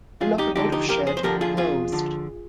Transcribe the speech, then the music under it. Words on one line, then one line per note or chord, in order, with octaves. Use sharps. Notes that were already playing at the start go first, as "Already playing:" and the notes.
The locomotive shed closed.
F2 F4 G#4
D#4 G4
D3 F3 D#4 G4
D#4 G4
F2 G4 A#4
G#4 C5
C5
D3 F3 G4 A#4
F4 G#4
F2 F4 G#4
D3 F3